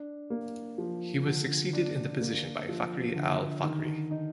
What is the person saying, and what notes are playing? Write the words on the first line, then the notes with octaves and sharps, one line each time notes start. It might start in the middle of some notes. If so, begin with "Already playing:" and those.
He was succeeded in the position by Fakhri Al Fakhri.
Already playing: D4
A#3
F3
D3
D4
A#3
F3
D3
D#3
D#4